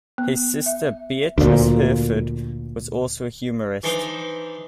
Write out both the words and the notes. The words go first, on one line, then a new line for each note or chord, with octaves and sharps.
His sister Beatrice Herford was also a humorist.
B3
E5
D2 A#2
E3 D4 D#4 C5